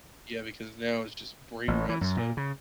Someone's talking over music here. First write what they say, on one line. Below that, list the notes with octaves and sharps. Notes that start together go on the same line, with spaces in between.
Yeah, because now it's just brain rot stuff.
A1
E3
F#2
A#2
C#3